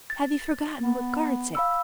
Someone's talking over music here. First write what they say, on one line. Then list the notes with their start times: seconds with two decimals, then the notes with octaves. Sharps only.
"Have you forgotten what guards it?"
0.10 A6
0.83 B3
1.55 F5 B5 E6